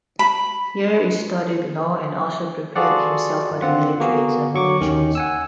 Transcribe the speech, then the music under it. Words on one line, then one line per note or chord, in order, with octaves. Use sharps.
Here he studied law, and also prepared himself for the military examinations.
B5
F4 F#4 G#4 A4 D5 F#5
D3 C4 F4 F#5
A#3 B3 F#4 G#4
F#3 C#6 D6
D#2 D#3 C#4
F#5 G#5 E6